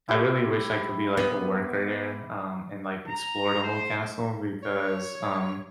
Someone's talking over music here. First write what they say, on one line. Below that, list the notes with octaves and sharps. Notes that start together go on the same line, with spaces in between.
I really wish I could be, like, a worker there, um, and, like, explore the whole castle because, um
E4 G4 C5
B3
A#5
C5
C#5